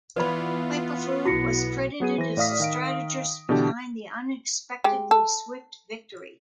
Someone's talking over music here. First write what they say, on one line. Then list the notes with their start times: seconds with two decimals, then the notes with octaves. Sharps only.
Wu Peifu was credited as the strategist behind the unexpectedly swift victory.
0.16 E3 B3 F4 B4 D5 B5
1.25 B1 B3 E4 F#4 A#6 C#7
2.00 F#3 B3 G#4 D#7
2.18 E3 C5 A#6
2.37 A2 D5 F5 D#6 B6
2.60 D#3 F5 D7
3.49 B2 D3 E3 D4 G4 A5
4.84 G#3 G4
5.11 A4